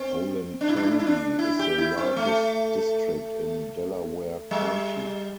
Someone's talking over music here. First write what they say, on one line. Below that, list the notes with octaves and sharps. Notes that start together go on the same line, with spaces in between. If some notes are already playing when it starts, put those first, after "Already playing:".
Olentangy is the largest district in Delaware County.
Already playing: C4
D4
E4
D4
E4
D4
E4
D4
E4
G4
E4
C4
A3
G3